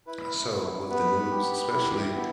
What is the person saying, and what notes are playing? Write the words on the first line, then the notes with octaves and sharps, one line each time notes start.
On a so with the news, especially
E4 B4
B3
B3 B4
G4
E4
B3